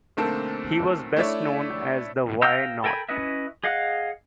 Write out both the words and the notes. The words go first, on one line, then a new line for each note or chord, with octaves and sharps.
He was best known as the Why Not?
B1 D3 A3 A#3 C4 A5
A3 D4 E4 C#5 D5 E5
F5 G5 A#5 E6
A4 A#4 G5 G#5 B5
C#4 E4 B4 D#5 E5
G#4 D#5 F5 F#5